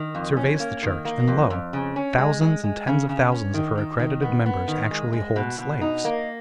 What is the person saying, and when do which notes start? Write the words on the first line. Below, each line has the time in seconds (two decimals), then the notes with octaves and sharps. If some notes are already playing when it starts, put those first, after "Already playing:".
He surveys the church, and, lo! thousands and tens of thousands of her accredited members actually hold slaves.
Already playing: D#3
0.15 F2
0.37 C#4
0.60 A#3
0.83 D#3
1.05 A#3
1.27 F2
1.50 F2
1.73 C#3
1.96 C#4
2.18 G#3
2.41 G#3
2.63 G#3
2.87 C#3
3.09 C#3
3.32 C#4
3.54 D#3
3.78 D#3
3.99 D#3
4.22 B3
4.46 B3
4.68 D#3
4.91 G#3
5.13 G#3
5.36 B2
5.58 B2
5.81 D#4
6.05 A#3